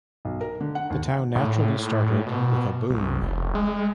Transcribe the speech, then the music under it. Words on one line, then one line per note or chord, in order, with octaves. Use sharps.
The town naturally started with a boom.
B1
A#4
D3
F#5
D#2
A2
B2
C2
F1
G#3